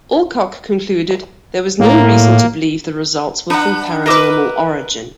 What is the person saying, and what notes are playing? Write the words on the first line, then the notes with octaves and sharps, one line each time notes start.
Alcock concluded there was no reason to believe the results were from paranormal origin.
A2 A#3
D4 B4 F#5
A#4 B4 D#5 E5 D6